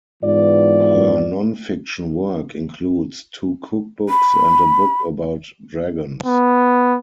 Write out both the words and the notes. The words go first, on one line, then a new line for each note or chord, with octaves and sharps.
Her nonfiction work includes two cookbooks and a book about dragons.
G#2 E3 B3 F4 D5
B5
B3